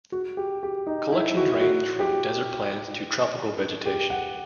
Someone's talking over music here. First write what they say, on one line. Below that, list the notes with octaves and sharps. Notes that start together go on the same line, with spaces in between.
Collections range from desert plants to tropical vegetation.
F#4
G4
G4
D#4
E4
F#4
E4
F#4
G4
G4
F#5